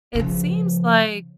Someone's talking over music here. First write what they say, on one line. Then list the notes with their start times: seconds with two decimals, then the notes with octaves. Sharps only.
it seems like
0.15 C#3 F3